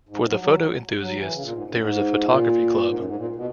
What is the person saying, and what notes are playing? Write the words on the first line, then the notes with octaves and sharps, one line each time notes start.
For the photo enthusiasts there is a Photography Club.
G#2
F#3
F#3
F#3
E3
C#3
A#2
G#2
F#2
G#2
A#2
G#2
F#2
G#2
A#2
B2